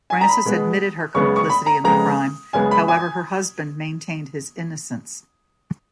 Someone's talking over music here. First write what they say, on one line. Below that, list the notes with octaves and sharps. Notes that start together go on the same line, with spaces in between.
Frances admitted her complicity in the crime; however, her husband maintained his innocence.
G#5
A#5
B5
B2 G#3 B3
F#2 C#3 G#3 B3 C#6
C#6
B5
A#5
F2 C#3 G#3 B3 A#5
F#2 C#3 G#3 B3 G#5
B5
G#5